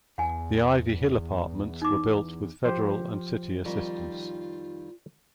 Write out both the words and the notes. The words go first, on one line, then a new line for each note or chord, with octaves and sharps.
The Ivy Hill Apartments were built with federal and city assistance.
E2 F#5 G#5
D#4 D6
F3 G4 C5
F2 D#3 G3 F4